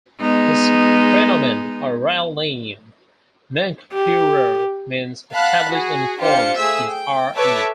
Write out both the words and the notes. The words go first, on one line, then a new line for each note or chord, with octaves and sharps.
His prenomen or royal name, Menkheperure, means Established in forms is Re.
G#3 B3 D#4
G4
F5 F#5 A5 B5 F#6
F#4 G#4
D4 F4 G4 C5 F5 C#7
A3 G#4 E5 E6
G5
A4 B4 C#5 E5 A5 D6